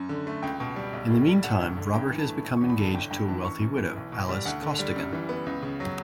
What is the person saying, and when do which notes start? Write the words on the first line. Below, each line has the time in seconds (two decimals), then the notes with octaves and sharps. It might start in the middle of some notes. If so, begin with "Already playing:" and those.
In the meantime, Robert has become engaged to a wealthy widow, Alice Costigan.
Already playing: F#2
0.09 D3
0.27 A3
0.43 C#2 G5
0.60 B2
0.76 G3
0.93 B1
1.10 A2
1.26 G3
1.44 E1 F#5
1.61 D2
1.77 D3
1.94 G2 G5
2.10 E3
2.19 A5
2.27 A3
2.45 E1
2.57 C#6
2.61 E2
2.69 B5
2.78 D3 A5
2.94 G1 G5
3.11 G2 G5
3.28 E3 A5
3.45 F#1 C#6
3.61 F#2
3.78 E3
3.96 B1
4.12 B2
4.29 G3
4.45 D2 F#5
4.62 D3
4.79 G3
4.96 F#2
5.13 E3
5.29 B3
5.46 C#2
5.62 C#3
5.80 F#3